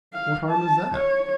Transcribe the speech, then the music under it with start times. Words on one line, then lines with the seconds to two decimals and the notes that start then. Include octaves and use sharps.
What harm is that?
0.13 F5
0.49 A5
0.94 C#5